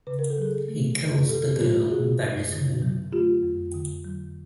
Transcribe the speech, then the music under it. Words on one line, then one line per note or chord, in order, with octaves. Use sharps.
He kills the girl and buries her.
C#3 B4
A#4
A4
F#3 G#4 A#4
A3
F#2
C#3 G4 A4
F#3 F4 G4
A3 F#4 G#4
F#2
D3
F#3
A3 F4 G4
F2
D3
F#3